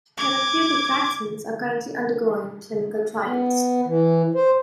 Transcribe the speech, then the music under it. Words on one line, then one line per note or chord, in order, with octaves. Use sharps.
Therapeutic vaccines are currently undergoing clinical trials.
D6 G#6
B3
E3
C5